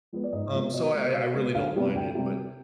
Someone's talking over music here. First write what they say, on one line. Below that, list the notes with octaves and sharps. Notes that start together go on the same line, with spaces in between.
um, so I I I really don't mind it, but
F3 G#3 B3
D5
G#2 D#5
F3 G#3 B3
B2 D#5
G#3 B3
B2 F5
G#3 B3
D2 F5
C3 G3 B3
D2 G5
C3 G3